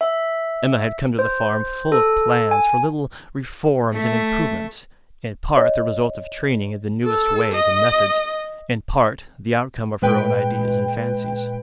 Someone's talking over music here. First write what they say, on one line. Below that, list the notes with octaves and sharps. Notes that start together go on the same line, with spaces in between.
Emma had come to the farm full of plans for little reforms and improvements, in part the result of training in the newest ways and methods, in part the outcome of her own ideas and fancies.
E5
C5
A4
G#5
A3 E5
C#5 D#5
A4
D#5
A#2 G#3 B4 G5